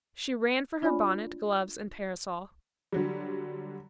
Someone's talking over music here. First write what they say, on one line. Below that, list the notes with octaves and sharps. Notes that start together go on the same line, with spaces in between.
She ran for her bonnet, gloves and parasol.
D4 F4 C#5 D5 G#5 B5
D3 F#3 G3